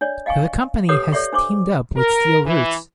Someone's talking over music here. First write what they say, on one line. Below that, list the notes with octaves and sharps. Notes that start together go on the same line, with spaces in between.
The company has teamed up with SteelRoots.
D4 C#5 D5
D#5 F5 G5 G#5 C#6
G4 A4 B4 C#5 F#5 D#6
A4 C#5 D5 E5 F#5 C#6
D4 C5 C#6 D6
A#4
E3